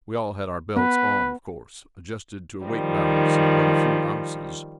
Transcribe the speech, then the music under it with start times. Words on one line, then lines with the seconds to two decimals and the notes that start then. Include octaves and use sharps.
We all had our belts on, of course, adjusted to a weight balance of but a few ounces.
0.76 B3 B4
2.65 D#3 F3 G3